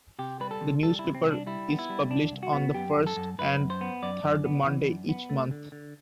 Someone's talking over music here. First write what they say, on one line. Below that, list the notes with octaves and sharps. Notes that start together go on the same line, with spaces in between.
The newspaper is published on the first and third Monday each month.
C3 G4
G3 B4
A4
C3
G3 A4
E4
C3
C4
C2
D4
G3 E4
B3
E4
G3
C2 D4
C2
F#4
B3
F#2 G4
F#2
A4
F#2
F#2 B4
F#2
C5
B3
F#2 D5
F#2
B3
E3
F#2
B3
A3
D3
D3